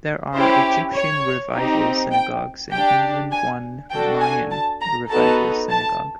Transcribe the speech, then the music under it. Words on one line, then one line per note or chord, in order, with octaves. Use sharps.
There are Egyptian Revival synagogues and even one Mayan Revival synagogue.
C#4 E4 G4 C5
C#5
C4 D#4 G4
G5
D4 G4 G5
G#5
D4 F#4 A4 G5
G#5
A5
A#5
B3 D#4 F#4 A4 A5
A5